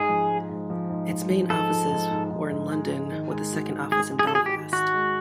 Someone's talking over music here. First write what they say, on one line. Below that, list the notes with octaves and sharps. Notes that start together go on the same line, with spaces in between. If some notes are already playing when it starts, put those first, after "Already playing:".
Its main offices were in London, with a second office Belfast.
Already playing: G#2 G#4
F3
G#3
G#2
F3
G#2
G#2
F3
G#2 A4
F3
G#2
G#2
G#2
G#2
G#3
G#2
D#3
G#3
F#4
D#3
G#3 G#4
G#3
G#4
A4
F#4 G#4
G4
D#3
D#3 F#4
G#3